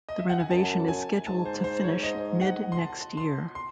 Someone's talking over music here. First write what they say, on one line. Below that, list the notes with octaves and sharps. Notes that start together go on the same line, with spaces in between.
The renovation is scheduled to finish mid next year.
D#5
E5
F#5
G#5
F#2 A5
G#5
G#2 A5
C5
C5
C#5
D#5
F#5
C6
A5
C6
C6